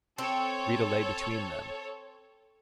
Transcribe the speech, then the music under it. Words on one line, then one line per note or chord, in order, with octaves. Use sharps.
Rita lay between them.
C4 A4 C#5